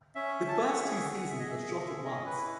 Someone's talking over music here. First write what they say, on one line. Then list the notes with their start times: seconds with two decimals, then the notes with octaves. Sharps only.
The first two seasons were shot at once.
0.15 C#4 E5
0.47 C#4 A5
0.58 G#5
0.68 F#5
0.79 G#4 E5
0.95 G#5
1.00 F#5
1.11 G#4
1.21 F#5
1.29 E5
1.39 G#4 D#5
1.49 E5
1.74 C#4
2.05 C#4 D#5
2.26 B4
2.37 E4